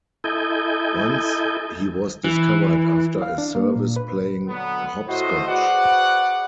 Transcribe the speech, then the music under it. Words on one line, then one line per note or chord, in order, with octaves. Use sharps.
Once he was discovered after a service playing hopscotch.
E4 A4 D#5 G#5 G6
E3
F5
D4
A#3
A#2
B4
D3 F#3 B3
A2 F#4 C5 D#5
F#4 G#4 B4 C5 D5 F#5